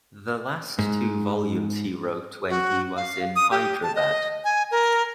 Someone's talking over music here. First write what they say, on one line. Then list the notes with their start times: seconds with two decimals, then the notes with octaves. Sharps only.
The last two volumes he wrote when he was in Hyderabad.
0.79 G#2
2.49 F#4
2.96 F5
3.36 D#6
3.51 G4
3.83 A5
3.95 D#5
4.44 G#5
4.71 A#4